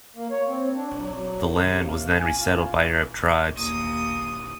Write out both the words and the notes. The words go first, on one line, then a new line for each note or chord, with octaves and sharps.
The land was then resettled by Arab tribes.
A#3
C#5
C4
D4
F#3
F#3
D#3
C3
F5
G#5
F4
D#2 D#6